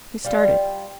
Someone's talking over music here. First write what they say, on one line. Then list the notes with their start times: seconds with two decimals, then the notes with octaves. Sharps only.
He started.
0.25 G3 F4